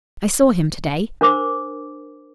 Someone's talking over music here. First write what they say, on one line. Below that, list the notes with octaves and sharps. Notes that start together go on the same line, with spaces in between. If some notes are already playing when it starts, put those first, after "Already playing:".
"I saw him to-day."
D4 A#4 C5 D6